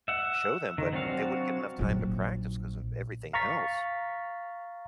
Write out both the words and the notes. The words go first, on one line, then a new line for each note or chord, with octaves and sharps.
show them, but they wouldn't get enough time to practice 'cause of everything else.
E5 F#5
D#3
F#3 C4 D4 F#4 F5
A#1 F#3
F5 A#5 C#6 A6 B6